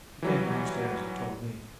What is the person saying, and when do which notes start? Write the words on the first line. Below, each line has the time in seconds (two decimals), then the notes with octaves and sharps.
She came downstairs and told me.
0.22 E3 F#3 G3